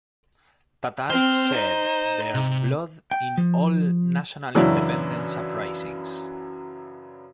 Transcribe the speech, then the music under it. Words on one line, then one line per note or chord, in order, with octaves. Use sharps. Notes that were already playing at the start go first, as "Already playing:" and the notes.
Tatars shed their blood in all national independence uprisings.
C4 C5 F6
D#4
C3
G5
F3
F#2 C#3 E3 F#3 D4 E4